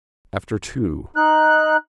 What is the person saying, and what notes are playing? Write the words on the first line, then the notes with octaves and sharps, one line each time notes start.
After two.
D#4 F#6